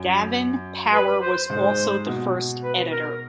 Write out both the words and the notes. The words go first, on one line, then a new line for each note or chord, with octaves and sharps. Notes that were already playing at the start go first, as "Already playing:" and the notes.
Davin-Power was also the first editor.
Already playing: F#2
B4
C5
G#2 C5
B2
B4
A#4